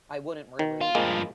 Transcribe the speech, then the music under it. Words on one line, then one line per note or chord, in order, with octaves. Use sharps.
I wouldn't really
D#3
F4
G2 F3 G#3 A#3